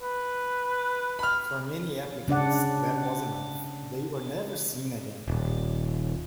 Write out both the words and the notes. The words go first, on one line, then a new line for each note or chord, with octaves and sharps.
For many applicants that was enough; they were never seen again.
B4
B5 F6
C#3 D4 D5 F#5
D#1